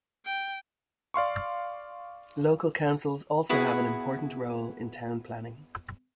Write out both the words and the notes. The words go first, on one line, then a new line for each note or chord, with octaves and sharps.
Local councils also have an important role in town planning.
G5
D5 F5 C6 C#6
B3 E4 F#4 G#4 B4 F#5